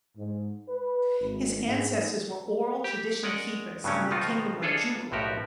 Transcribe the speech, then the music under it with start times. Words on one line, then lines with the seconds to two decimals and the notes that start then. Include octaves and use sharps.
His ancestors were oral tradition keepers in the kingdom of Djougou.
0.17 G#2
0.69 B4
1.21 G#1
1.66 G#2
2.84 G4
3.23 G#3 C#4 A#4 D5 D#5 F#5
3.84 G2 C#3 F#3 A3 C#4 G4
4.10 B2 D#3 F3 D#4 F4 F#4
4.62 D4 F4 G#4 A4 C#5 D#5
5.11 B1 A2 F3 F#4 G4 A#4